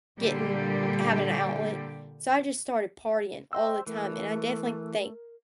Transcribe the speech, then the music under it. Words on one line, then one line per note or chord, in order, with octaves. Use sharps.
getting having an outlet." So, I just started partying all the time, and I definitely think
A#2 D3 G3 A#3 G4
C5 D#5 G5 C6 E6
E3 A3 A#4